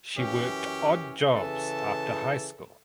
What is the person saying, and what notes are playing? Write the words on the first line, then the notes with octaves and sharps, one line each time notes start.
She worked odd jobs after high school.
F#2 E3 C#4 G4
C#3 E3 A4 A5